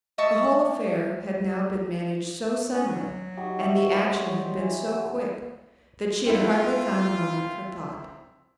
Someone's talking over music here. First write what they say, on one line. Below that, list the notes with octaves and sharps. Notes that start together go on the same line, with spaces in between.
The whole affair had now been managed so suddenly, and the action had been so quick, that she had hardly found a moment for thought.
D#5 E5 A5 C#6
C#4
F#3
D#4 F#4 G4
C#5 E5 C#6
G3 C5 C#5 D#5
E3
C4 E4 F4